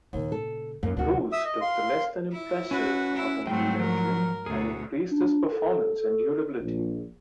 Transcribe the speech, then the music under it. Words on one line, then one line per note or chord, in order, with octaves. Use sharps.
Roos took the "less than impressive" automobile engine and increased its performance and durability.
D#2 A#2 C#3
A4
F#2 A#3 D#4
D2 C3 D4 F#4
E5 D#6 E6
D#5
F5 C6
E4
C#4 F#4 B4
E4
G#2 F#3 G3 A3 C4 G5
F3 A#4
D2 B2 G#4
D4
A4
A#1